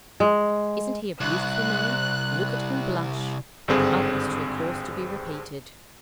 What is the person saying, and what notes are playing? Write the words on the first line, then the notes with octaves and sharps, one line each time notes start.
"Isn't he a beautiful man?" "Look at him blush;" and others too coarse to be repeated.
G#3
C2 F#6
G#1 G2 D3 C4 G#4